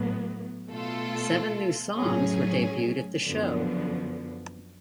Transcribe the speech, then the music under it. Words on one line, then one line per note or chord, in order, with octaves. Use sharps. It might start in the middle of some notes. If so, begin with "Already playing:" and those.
Seven new songs were debuted at the show.
Already playing: A2 F#3 B3
B2 A3 F4 A4
A2 F#3 C#4 G#4
F#2 D3 F3 B3